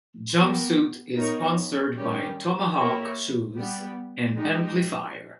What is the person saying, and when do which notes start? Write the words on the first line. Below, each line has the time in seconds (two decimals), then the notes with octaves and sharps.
Jumpsuit is sponsored by Tomahawk Shoes and Amplifiers.
0.35 B3 G4 A#4
1.15 B3 D#4 A#4 C#5
1.96 D#3 G3 C#4 G4
2.76 A#3 E4 G4 A#4 C#5
3.56 G3 B3 G4
4.36 G#3 D#4 G4